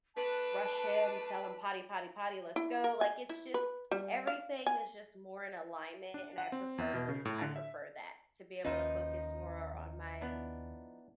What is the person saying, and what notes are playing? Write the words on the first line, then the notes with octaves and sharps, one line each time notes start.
rush him, tell him, "Potty, potty, potty, let's go." Like, it's just, everything is just more in alignment and I prefer I prefer that, to be able to focus more on my
A3 D4 B4 A5
E4
A#4
G#5
E4
B4
G3
F5
G#5
D4
F#5
C4
E2
B2
C#3
A2
D3
E5
D#2 F3 C#4 D#4 F4 B4 E5
B3 D4 E4